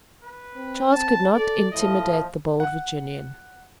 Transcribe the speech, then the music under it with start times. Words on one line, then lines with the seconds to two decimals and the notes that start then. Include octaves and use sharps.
Charles could not intimidate the bold Virginian.
0.22 B4
0.55 C4
0.93 A5
1.34 A4 D5
1.72 A2 F3 D#5
2.60 F#5